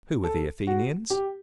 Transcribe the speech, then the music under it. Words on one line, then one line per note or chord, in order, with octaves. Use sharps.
Who were the Athenians?
A4
F#4
G4